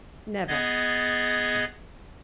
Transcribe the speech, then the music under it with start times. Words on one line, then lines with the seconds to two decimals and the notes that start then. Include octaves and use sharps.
"Never!" he said.
0.48 B3 G#4 D#5 G#6 A6